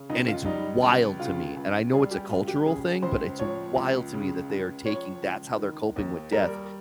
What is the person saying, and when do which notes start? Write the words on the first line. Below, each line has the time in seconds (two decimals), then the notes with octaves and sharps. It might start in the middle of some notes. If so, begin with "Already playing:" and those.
and it's wild to me, and I know it's a cultural thing, but it's wild to me that they are taking that's how they're coping with death,
Already playing: C#3
0.10 C#2 D#4
0.28 F4
0.46 G3 D#4
0.83 C#2
1.19 C#3 F4
1.57 C#2
1.93 G3 G#4
2.11 G4
2.29 C#2 F4
2.48 G4
2.66 C#3 G#4
3.02 C#2 C5
3.39 F3 C#5
3.76 C#2
4.12 C#3
4.49 C#2
4.86 F3 C#5
5.22 C#2
5.59 D#3
5.96 D#2
6.32 G3 A#4